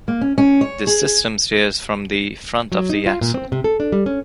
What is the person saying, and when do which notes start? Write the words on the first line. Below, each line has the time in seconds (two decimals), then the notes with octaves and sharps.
This system steers from the front of the axle.
0.08 A#3
0.21 C#4
0.38 C#4
0.61 C#5
0.87 G#4
2.72 F#3
2.90 D#4
3.06 F4
3.21 A#2
3.34 C4
3.52 C3
3.64 A4
3.80 D4
3.92 G3
4.06 C#4